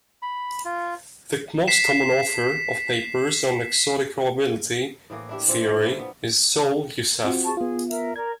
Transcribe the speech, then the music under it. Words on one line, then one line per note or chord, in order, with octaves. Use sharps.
The most common author of papers on exotic probability theory is Saul Youssef.
B5
F4
B6 C7 E7
A2 E3 A#3
D4 E4 G4
A#2 E3 C4
A#3
G3 E4
B3
C4 F4 F#4
G#4 A5 C#6
B3 F4 G#4
A#4 E5
A#4 D5 A#5 G#6